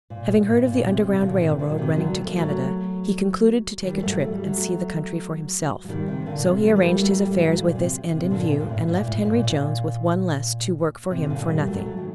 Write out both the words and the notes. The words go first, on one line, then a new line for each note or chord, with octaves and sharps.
Having heard of the Underground Rail Road running to Canada, he concluded to take a trip and see the country, for himself; so he arranged his affairs with this end in view, and left Henry Jones with one less to work for him for nothing.
A#2
A#2
A2
A#2
C3
C3
A#2 D3
C3 D#3
A#2 D3
F#3
C3 D#3
D3 F#3
A3
A#3
F#3 A3
D#3 G3
G3
F#3 A3
A3
G3
F#3 A3
F#3
D#3 G3
C3 D#3
A#2 D3
C3
D#3 G3
A3
G3 A#3
F#3 A3
G3 A#3
G3
F#3 A3
A#2
C3
C3
C3
A#2 D3
D3
C3
A#2
A2
A#2
A2
A#2
A#2
C3
D#3
A#2 D3
D#3 G3
F#3 A3
F#3 A3
D#3